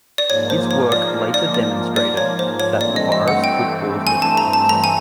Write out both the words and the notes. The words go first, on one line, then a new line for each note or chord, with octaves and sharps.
His work later demonstrated that the virus could cause liver cancer.
D5
G#2 F3 A#3 C#5
C5
C#5
D5
D5
D5
D5
C#5
C5
C#5
G2 E3 A3 C4 D5
D#5
D#5
F#5
G5
G#5
A5
A#5
A5
A#5
G#5